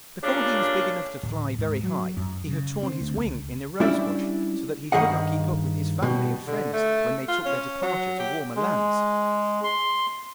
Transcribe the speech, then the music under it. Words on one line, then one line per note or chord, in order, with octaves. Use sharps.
Before he was big enough to fly very high he had torn his wing in a rosebush, so that he could not keep up with his family and friends when they took their departure to warmer lands.
A#2 C#3 G3 C#4 D4
D1
G#2
F#3
F#2
C#3
C4
D2
C#2
G3 C#4 D4 E4 D5 E5
G2 D#3 G#4 D#5 F#5
B2 G3
D3
A3
F4
C#4
F#3
G4
G#3
C6